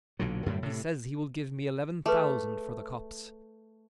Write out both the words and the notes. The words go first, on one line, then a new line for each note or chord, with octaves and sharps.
He says he will give me eleven thousand for the copse.
B1 A#2 D3 F#3
F#2 A2 D3 G3
A2 C3
A3 G#4 B4